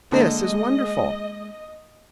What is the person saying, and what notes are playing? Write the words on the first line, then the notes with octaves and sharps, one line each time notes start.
This is wonderful!
D3 G#3 A#3 D#5